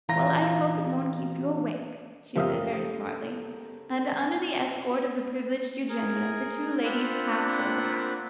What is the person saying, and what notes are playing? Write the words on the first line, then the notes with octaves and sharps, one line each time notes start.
"Well, I hope it won't keep you awake!" she said very smartly; and, under the escort of the privileged Eugenio, the two ladies passed toward the house.
A#2 E3 F4 A#5 A#6
F#1 F3 G4 A4 A#4 E5 F5 D#6
G#4 A#4
A#3 C4 D4 F4 F#5 B5